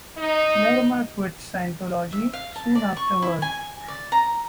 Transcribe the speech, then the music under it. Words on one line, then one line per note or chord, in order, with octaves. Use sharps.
Lerma quit Scientology soon afterward.
D#4
E5
F5
A5
D5
C#6
E4
G#5
D5
A#5